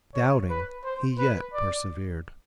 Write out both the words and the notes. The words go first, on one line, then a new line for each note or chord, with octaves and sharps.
Doubting, he yet persevered.
C#5
B4
C5
B4
D5